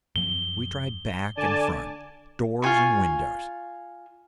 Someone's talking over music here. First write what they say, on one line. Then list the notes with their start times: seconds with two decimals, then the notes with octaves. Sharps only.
We tried back and front, doors and windows.
0.16 F#2 F3 C4 G7
1.37 D3 D5 G#5 A5
2.62 F4 G#4 G#5 C#6